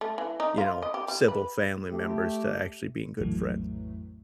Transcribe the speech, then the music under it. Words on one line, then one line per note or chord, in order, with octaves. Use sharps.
you know, civil family members to actually being good friends.
A3
E3
D#4
F4
D#5
G4
G3
B4
A3 G4
A#1 F2 A2 E3 F#3 A3